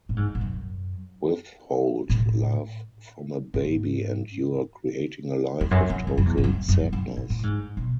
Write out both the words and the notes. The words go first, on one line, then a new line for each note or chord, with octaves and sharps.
Withhold love from a baby and you're creating a life of total sadness.
A2
G#2
G#2
F#2
A2
G#2
E2
F#2
E2
F#2
F#2
E2
G#2
F#2
F#2
F#2
G#2
A2
G#2
B2